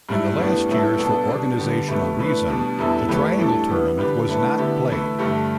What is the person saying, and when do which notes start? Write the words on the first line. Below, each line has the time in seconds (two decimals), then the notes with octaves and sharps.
In the last years for organisational reason the triangle-tournament was not played.
0.09 G2 G3 E4
0.38 A2 G3 B3 D4
0.68 A2 G3 B3 E4 A4
0.98 B2 B3 D4 A4
1.28 B2 G3 D4
1.58 D3 G3 B3 G4
1.88 B2 A3 G4 B4
2.19 E3 A3 D4 B4
2.48 B2 G3 D4
2.79 E2 E3 G3 E4 A4
3.09 A2 E3 A3 G4 B4
3.39 A2 G3 D4 A4
3.69 E3 B3 G4
3.98 D3 G3 D4 G4 B4
4.28 A2 A3 D4 B4
4.58 D3 B3 E4 G4
4.89 E3 A3 E4 B4
5.18 G2 D3 A3 G4